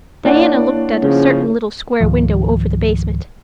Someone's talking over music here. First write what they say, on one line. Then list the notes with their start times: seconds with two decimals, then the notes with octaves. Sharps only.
Diana looked at a certain little square window over the basement.
0.25 A#3 D4 E4 C#5 D5 F#5
1.02 C#3 F3 C#4
2.01 C#2 G#2 D#3 F3